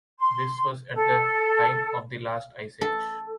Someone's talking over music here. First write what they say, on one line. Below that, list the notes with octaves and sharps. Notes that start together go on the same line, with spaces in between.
This was at the time of the last ice age.
C6
A4
A4